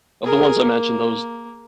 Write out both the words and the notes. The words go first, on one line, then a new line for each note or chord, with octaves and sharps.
of the ones I mentioned, those
G#4 A#4
A#3